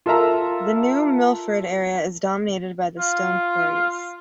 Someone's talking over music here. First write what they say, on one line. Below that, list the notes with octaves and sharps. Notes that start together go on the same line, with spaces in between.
The New Milford area is dominated by stone quarries.
F4 A4 A#4 E5 A#5
F4